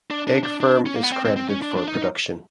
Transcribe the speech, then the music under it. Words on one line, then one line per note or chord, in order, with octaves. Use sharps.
Egg Firm is credited for production.
D4
D4
D4
D4
C#4
A#3
B3
C4
C4
C4
C#4
D4
D4
D#4